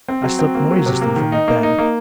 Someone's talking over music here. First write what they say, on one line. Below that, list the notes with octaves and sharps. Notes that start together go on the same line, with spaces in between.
I slipped noiselessly from the bed.
C4
F#3
C4
A#3
F#3
C3
A#3
D#3
D#4
A#3
D#4
A#3